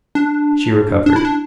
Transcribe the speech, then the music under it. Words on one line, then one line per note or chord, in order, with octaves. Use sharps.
She recovered.
D4
D4
E4
D4